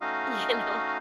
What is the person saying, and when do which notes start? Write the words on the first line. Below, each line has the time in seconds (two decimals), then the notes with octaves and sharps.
you know.
0.01 A3 C#4 D#4 F#4 D#5 F5